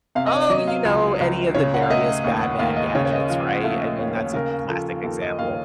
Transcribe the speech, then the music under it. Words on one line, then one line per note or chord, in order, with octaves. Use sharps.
Oh, you know, any of the various Batman gadgets, right? I mean, that's a classic example.
C3 F5
D#5
C#5
F#3 D#5
F5
C#2
C#2
C#3 C#5
F#5
F5
A3 D#5
D#2
F#5
D#2 F5
D#5
C#3 C#5
C#5
D#5
F3 F5
F#5
A3 F5
D#5
D#2 C#5
C#5
C#3 A#4
F3 A4
D#2 A4
D#5
D#2 F5
C#5